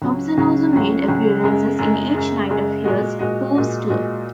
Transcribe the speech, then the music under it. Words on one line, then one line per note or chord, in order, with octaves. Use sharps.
Thompson also made appearances in each night of Hill's "Hooves" tour.
C#2 C#3 F#3 C#4
C#2 C#3 F#3 C#4
C#2 C#3 F#3 C#4
C#2 C#3 F#3 C#4
F#2 C#3 G#3
F#2 C#3 G#3
F#2 C#3 G#3
F#2 C#3 G#3
A#2 G#3 F#4 D#5
A#2 G#3 F#4 D#5
A#2 G#3 F#4 D#5
A#2 G#3 F#4 D#5